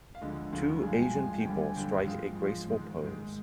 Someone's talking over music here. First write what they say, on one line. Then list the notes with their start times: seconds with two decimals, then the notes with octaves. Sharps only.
Two Asian people strike a graceful pose.
0.15 F5
0.21 D2 D3 F3 G#3 D#5
0.52 D2 D3 F3 G#3 F5
0.83 G2 F3 G#3 G#5
0.92 G5
1.02 G#5
1.15 G2 F3 G#3
1.39 G5
1.45 D#2 D3 G3 G#5
1.61 G#5
1.76 D#2 D3 G3 G5
2.07 G#2 F3 G#3 F5
2.38 G#2 F3 G#3
2.69 G#2 D#3 G#3
3.00 G#2 D#3 G#3